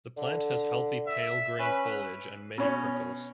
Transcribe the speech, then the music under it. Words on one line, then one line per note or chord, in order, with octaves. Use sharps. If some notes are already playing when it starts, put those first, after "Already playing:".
The plant has healthy pale green foliage and many prickles.
D3
E5
C#4 B4
B2 C#4